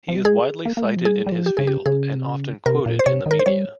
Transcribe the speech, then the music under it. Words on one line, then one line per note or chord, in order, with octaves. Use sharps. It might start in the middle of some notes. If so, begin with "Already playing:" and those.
He is widely cited in his field and often quoted in the media.
F3
G3
G#3 G#4
A#3
A#3
G#3
F3
G3 G#4
G3
F3
G4
C#3 G#4
G4
C#3 G#4
C3
C#3
C3 A#4
A#2
C5
C3 C#5
D#3 A#4
C5
G3 C#5